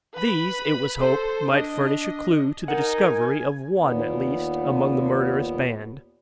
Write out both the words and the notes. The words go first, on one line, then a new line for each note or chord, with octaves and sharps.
These, it was hoped, might furnish a clew to the discovery of one at least among the murderous band.
B4 B5
A4 C5
D4 D#5
D#4 A#4 F#5 G#5
D#2 A#2 B3